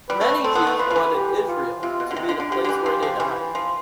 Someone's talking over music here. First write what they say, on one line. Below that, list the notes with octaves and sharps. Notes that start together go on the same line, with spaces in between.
Many Jews wanted Israel to be the place where they died.
G3 B4
A3
C4 A4
B3
A3
F3 B4
F3
E3
G4
F4
C3 F4
B2
D3
C3
D3
D3
D3 G4
D3
E3
F3
F3
E3
F3